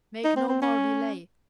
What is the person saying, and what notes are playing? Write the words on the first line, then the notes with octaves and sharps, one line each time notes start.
Make no more delay!
D#4
C4
C4
C#4